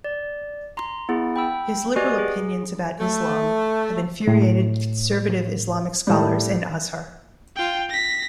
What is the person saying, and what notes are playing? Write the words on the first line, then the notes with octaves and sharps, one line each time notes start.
His liberal opinions about Islam have infuriated conservative Islamic scholars and Azhar.
D5
A#5 C6
B3 E4 G#4
G5 B5 E6
F#4 G4 B4 D5 D#5 G#5
G#4
A3
A2
A2 G3
F4 G5
A#6 B6